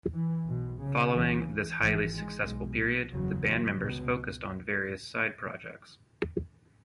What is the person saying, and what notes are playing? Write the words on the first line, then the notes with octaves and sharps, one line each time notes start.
Following this highly successful period, the band members focused on various side projects.
E3
B1 B2
C#3
C#2 C#3 E3
G#1 G#2 E3
G#3
B1 B2
F#1 E2 C#3 F#3
C#2 B2